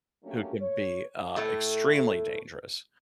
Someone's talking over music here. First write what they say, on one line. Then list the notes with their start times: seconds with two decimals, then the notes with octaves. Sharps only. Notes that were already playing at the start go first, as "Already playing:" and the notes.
who can be, uh, extremely dangerous,
0.23 F#3 A3 A#3 C#4 D4 G4
0.59 C#5
1.36 A2 A3